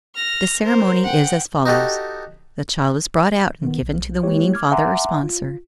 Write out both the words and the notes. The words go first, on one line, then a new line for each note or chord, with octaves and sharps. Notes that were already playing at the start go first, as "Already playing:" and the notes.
The ceremony is as follows:--The child is brought out and given to the weaning father or sponsor.
F6 A#6
A#4 C5
F#5 G5
D#4 F#4 G4 A4
D#3 B3
B1
G#3 A#3 E4 G4 C#5
D6 F6 G#6
E5 F#5 G#5 A#5 C6 D6
F4